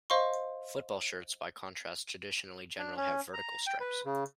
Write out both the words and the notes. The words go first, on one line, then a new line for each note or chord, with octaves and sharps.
Football shirts by contrast, traditionally generally have vertical stripes.
C5 D#5 F5 C6 C#6
D4
C#4
A#5
G5
B4
C#3